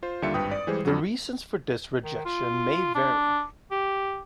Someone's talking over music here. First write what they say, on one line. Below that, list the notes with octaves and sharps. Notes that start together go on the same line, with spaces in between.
The reasons for this rejection may vary.
F4 C5
D#2 D3 G3 F4 E5 C#7
G#1 G2 B4 G5 D#6
D5
E3 G3 G#3 G#4 C5
F2 F#3
D#3
F4
D4
G4